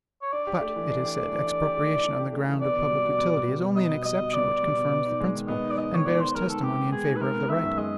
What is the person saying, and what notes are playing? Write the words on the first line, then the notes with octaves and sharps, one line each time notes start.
But, it is said, expropriation on the ground of public utility is only an exception which confirms the principle, and bears testimony in favor of the right.
C#5
D4 D5
G4
A3
E3
D4
G4
A3
E3
D4
G4
A3
E3
D4
G4
A3
E3
B3 D5
B2
G3
B2
B3
B2
G3
B2
B3 D#5
B2
G3 D#5
B2
B3 D5
B2
G3
B2
B3
D#4
G#3
D#3
B3 D#5
D#4
D5
G#3 D#5
D#3 C#5
B3 D5
D#4 C5
G#3 A#4
D#3 A4
B3 G4
D#4
G#3 G#4
D#3
B4
G#3 A#4
B3
D#3 E5
F#2
G#3 D#5